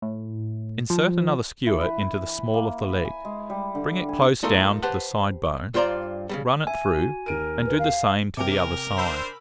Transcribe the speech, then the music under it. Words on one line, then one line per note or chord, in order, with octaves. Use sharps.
Insert another skewer into the small of the leg, bring it close down to the side bone, run it through, and do the same to the other side.
A2
F3
E3
B4
E4
A#3
B4
G#5
G#3
G3
D3
G#5
A3 D#4 F4 A4 A#4
G4 B4 C5 F#5 A5
G2 F4 C5 D5 A#5
C#3 E3 G3
E5 G#5
F#4
D#2 A#4 D7 D#7
B4
F5
C3 A#4 G5 G#5 D6
D4 C5 B5 E6